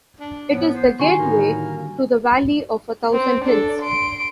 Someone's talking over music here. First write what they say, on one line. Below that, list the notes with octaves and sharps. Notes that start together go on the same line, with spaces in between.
It is the gateway to the Valley of a Thousand Hills.
D4
A2 F3 B3
C5
D3 D#3 G3 F#4 G#5 C6 C#6
A2 A#3 D#4
C4
D4 A4
C6 D7